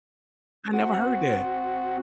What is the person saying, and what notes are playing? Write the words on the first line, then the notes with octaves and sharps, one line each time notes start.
I never heard that.
C4 F#4